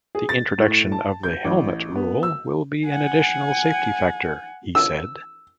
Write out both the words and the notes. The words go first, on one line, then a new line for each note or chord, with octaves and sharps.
"The introduction of the helmet rule will be an additional safety factor," he said.
G#4
A6
A2
A5
G6
A1
B3
E6
F#5 G#5
E6